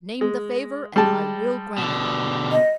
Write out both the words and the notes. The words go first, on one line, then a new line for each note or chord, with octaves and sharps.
"Name the favor and I will grant it."
G#3
G3 G#3 A5
B2 D3
D#5